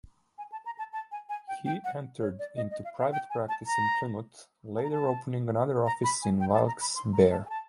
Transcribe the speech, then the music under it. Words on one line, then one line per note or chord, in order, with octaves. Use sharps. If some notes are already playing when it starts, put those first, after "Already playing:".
He entered into private practice in Plymouth, later opening another office in Wilkes-Barre.
G#5
A5
A#5
A5
A5
G#5
G#5
G5
G5
F#5
C#5
D5
D#5
D#5
F5
F5
G5
G#5
A5
A#5
A5
A#5
A5
A#5
B5
G#5
G5
A5
A#5
B5
C6
A#5
A5
G#5
A5